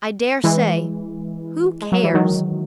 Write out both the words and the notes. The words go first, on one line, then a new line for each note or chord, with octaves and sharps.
I dare say. Who cares?
E3 G#3
G#3
F#3
E3
D#3 F#3